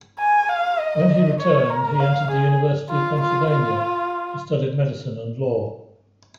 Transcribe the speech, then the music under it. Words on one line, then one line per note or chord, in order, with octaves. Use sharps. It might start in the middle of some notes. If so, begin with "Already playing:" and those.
When he returned he entered the University of Pennsylvania and studied medicine and law.
G#5
F5
D#5
C#5
A#4
F5
G#4
F4
F4
F4